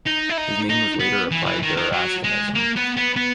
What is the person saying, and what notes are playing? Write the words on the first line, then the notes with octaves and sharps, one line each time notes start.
His name was later applied to Erastianism.
D#4
E4
D#4
D#4
B3
E3
E3
D#3
D#3
F#3
G#3
A#3
B3
B3
B3